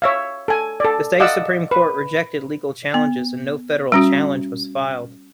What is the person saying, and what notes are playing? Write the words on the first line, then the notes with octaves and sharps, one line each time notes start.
The state Supreme Court rejected legal challenges and no federal challenge was filed.
C#5 E5 F5
A4 G#5
A4 D5
D5 D#5 F5 F#5 E6
B4
B3
G3 C#4 F#4